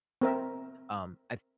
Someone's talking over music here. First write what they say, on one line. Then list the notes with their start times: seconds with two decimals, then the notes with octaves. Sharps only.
Um, I th
0.22 C4 A#4 E5